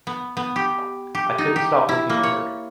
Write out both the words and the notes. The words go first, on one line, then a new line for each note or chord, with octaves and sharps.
I couldn’t stop looking at her.
B3
B3
G4
G4
D#4
G4
E4
A#3
C#5